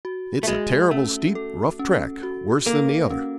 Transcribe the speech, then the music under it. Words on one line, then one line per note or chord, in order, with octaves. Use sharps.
It's a terrible steep, rough track, worse than the other.
F#4
A3
G#3 F#4
A3 C#4
A4
C#4
F#4
A#3 A4
C#4